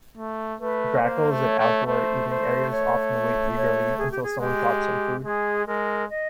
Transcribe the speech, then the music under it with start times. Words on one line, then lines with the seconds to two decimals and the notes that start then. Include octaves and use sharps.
Grackles at outdoor eating areas often wait eagerly until someone drops some food.
0.17 A3
0.60 A3 B4
0.96 C#5
1.02 A#3 C5
1.31 A3
1.44 C#5
1.59 A3
1.86 A3 C5
2.30 C5
2.71 C#5
3.56 C#5
3.98 G#4
4.11 G4
4.23 G#4
4.40 G#3 G4
5.25 G#3 G#4
5.67 G#3 A#4
6.10 D#5